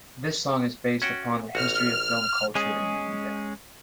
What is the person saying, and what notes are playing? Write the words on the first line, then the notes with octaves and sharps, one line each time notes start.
This song is based upon the history of film culture in India.
C#4 F#4 G5
A1 F#4 F6
G#3 C#4 G#4